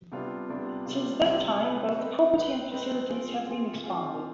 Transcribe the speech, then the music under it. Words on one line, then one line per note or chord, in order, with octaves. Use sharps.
Since that time, both property and facilities have been expanded.
C3 G3 B3 D4 F4
C3 G3 B3 D4 F4
C3 G3 B3 D4 F4
C3 G3 B3 D4 F4
C4 D#4 B4
C4 D#4 B4
C4 D#4 B4
C4 D#4 B4
C4 F4 G#4
C4 F4 G#4
C4 F4 G#4